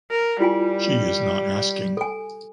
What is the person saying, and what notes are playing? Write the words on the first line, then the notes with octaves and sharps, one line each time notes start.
She is not asking.
A#4
G3 E4 F4 G#5
A4 G#5